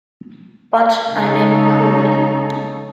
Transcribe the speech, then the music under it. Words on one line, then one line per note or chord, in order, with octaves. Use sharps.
But I never could!
C#3 G#3 C#4 D#4 A4